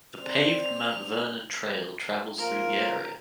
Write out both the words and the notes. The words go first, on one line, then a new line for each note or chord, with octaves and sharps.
The paved Mount Vernon Trail travels through the area.
C4 D5 F7
F3 A#3 F4 A#4